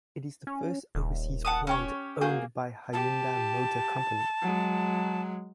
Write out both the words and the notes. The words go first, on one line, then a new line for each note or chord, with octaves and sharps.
It is the first overseas plant owned by Hyundai Motor Company.
C#4
D#1
F#5 A5 D#6
C#4 G4 C#5
A#3 F#4 G#4 G6
G4 A5
F#3 G#3